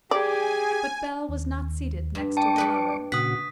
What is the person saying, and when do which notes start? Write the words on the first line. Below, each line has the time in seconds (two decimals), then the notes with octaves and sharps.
But Bell was not seated next to her lover.
0.11 G4 G#4 D5 G#5
1.29 D#2
2.15 G2
2.37 D5 G5 A5 C#6 D6
2.56 G4 B4 D#5
3.12 A#2 C#3 F#4 F#5 D#6 B6